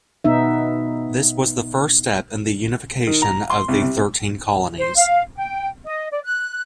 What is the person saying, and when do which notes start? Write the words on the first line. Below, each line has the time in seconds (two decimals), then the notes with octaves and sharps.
This was the first step in the unification of the thirteen colonies.
0.24 B2 B3 D#4 E5
3.07 D#3
3.22 A#5
3.50 C6
3.68 C2
3.82 C3
4.79 C5
4.96 F5
5.36 G5
5.86 D#5
6.12 D5
6.25 F#6